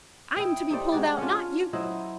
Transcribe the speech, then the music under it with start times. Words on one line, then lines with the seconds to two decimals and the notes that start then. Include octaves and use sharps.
'I'm to be pulled out, not you.
0.36 E4 D#5 G5
0.71 D#4 G4 C5 D5
0.92 G#3 F#4 D5
1.18 C#4 D4 F4
1.73 F#3 E4 C5 D#5